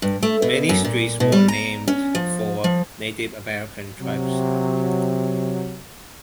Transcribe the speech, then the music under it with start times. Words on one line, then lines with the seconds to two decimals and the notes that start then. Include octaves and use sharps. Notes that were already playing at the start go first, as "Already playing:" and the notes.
Many streets were named for Native American tribes.
0.02 G2
0.22 A3
0.42 B2
0.69 F#2
0.84 A#2
1.20 B2
1.32 G3
1.48 A#5
1.88 C#4
2.15 F3
2.64 F3
4.00 C3 F#3